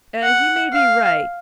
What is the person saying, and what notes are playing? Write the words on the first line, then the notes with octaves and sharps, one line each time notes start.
He may be right.
F#5
F5